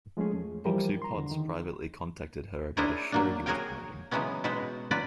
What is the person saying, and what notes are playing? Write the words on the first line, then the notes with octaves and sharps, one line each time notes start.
Boxu Potts privately contacted her about a show he was promoting.
F3 G#3 A3 C#4 G#4
E2
E3 F3 G3 G4 A#4 C5
A#5 C6
E2 D3
D#3
D4 E4 G#4 A#4 C5 C#5
F#3 A#3 D4
F#4 G#4 A#4 C#5 F5 G5
C#3 E3 F#3 G#3 B3 C#4
B2 G#3 F#4 B4 C5
F#3 C#4 F4 B4 D5